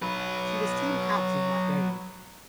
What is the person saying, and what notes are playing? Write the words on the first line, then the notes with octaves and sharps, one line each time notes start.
She was team captain in that game.
F#3 B4